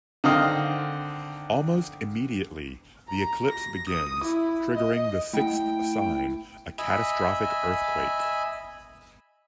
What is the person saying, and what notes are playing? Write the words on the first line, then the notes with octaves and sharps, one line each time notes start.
Almost immediately, the eclipse begins, triggering the sixth sign, a catastrophic earthquake.
D3 D#3 C4 D#5 F5 D#6
A#5
A#6
D#6
E4
D#5
A3 E4 F#5 G5
D#5 E5 G#5 B5